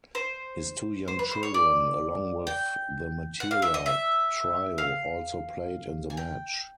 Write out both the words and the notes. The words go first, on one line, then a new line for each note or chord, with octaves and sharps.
His two young children, along with the Matera trio also played in the match.
C5
C5
B4
C5
C#5
D5
G5
F#5
F5
E5
D#5
E5
F5
G#5
G5